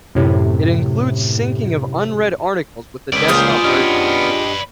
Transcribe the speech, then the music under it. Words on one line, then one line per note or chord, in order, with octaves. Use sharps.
It includes syncing of unread articles with the desktop version.
F#2 A2 C3
C#2 B4 D5
A#3 F4 G#4 C5
B3 C#4 D4 G4 D#5